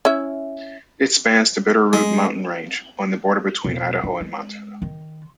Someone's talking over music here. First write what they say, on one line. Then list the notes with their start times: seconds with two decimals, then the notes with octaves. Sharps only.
It spans the Bitterroot Mountain Range, on the border between Idaho and Montana.
0.05 C#4 E4 E5
1.93 G#3
3.65 E1
4.04 D4
4.21 G#3
4.82 D#3